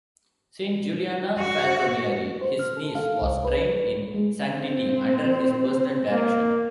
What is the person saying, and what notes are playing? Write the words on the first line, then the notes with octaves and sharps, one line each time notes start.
Saint Juliana Falconieri, his niece, was trained in sanctity under his personal direction.
F#4
C5
F6
A4
F5
C2
B4
G#3
C4
A#3